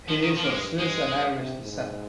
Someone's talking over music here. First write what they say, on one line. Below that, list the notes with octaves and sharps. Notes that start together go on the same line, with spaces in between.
He is of Swiss and Irish descent.
F3
D#3
F3
A#3
G2 G#3
G2 G#3
G2
C3
G#2